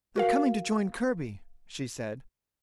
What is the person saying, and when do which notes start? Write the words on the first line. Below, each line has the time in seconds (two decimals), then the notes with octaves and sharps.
"They're coming to join Kirby," she said.
0.16 F#4 A#4 F5